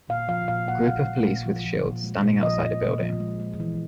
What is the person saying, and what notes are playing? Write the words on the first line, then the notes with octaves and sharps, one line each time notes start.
Group of police with shields standing outside a building.
A#2 F5
F3 F5
A#2 F5
A#2 F#5
A#2 F5
A#2
A#2
F3
F3
A#2
G#3
A#2
F3 D#5
A#2
A#2
F3
G#3
G#3
E3